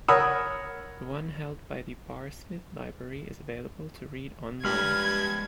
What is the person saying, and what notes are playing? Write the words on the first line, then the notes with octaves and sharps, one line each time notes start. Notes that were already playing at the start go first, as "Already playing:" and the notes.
The one held by the Barr Smith Library is available to read online.
A#4 C#5 F#5 B5 D#6 E6
G2 G#3 D5 B5 F6 G#6